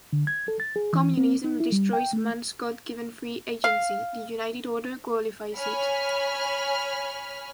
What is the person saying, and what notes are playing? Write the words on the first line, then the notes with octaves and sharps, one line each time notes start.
Communism destroys man's God-given free agency; the United Order glorifies it.
D3
G#6
A4
A6
G#4
E3
C4
D#4
E4
G3
G5
A3
F5
C#5 G#5 B5 F6